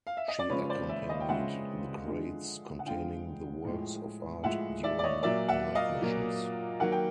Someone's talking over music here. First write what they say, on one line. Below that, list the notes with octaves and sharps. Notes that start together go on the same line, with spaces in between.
She accompanied the crates containing the works of art during night missions.
F5
E5
D#5
D5
C#3 F3 G#3 B4 C#5
C5 D5
D5 E5
D#5 F5
G5
C#3 F3 G#3 E5 F#5
D3 F3 G#3
F#5
D3 F3 G#3 F5 G5
A2 F3 G#3
A2 F3 G#3 E5 F#5
D5 E5
D5
C#5 D#5
A#2 F#3 A#3 D5 E5
E5 F#5
D#5 F5
A#2 F#3 A#3
D#3 F#3 A#3 F#5
G5